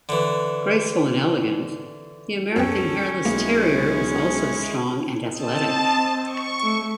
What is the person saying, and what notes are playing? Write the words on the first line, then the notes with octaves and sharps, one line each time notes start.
Graceful and elegant, the American Hairless Terrier is also strong and athletic.
D3 E3
C#2 F#2 C#4 A4 G5
B1 G#3 A#3 E4
C4 D#5 A5
C#6
A3